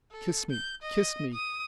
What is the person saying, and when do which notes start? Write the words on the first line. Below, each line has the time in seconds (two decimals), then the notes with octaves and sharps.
Kiss me, kiss me!
0.12 A4
0.50 G6
0.82 D#5
1.34 D#6